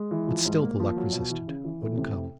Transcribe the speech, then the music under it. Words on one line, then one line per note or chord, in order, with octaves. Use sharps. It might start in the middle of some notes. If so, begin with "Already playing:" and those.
But still the luck resisted; wouldn't come.
Already playing: G#3
E3
F3
G#2
A#3
F3
F#3
B2
E3
C#3
E3
A2
C3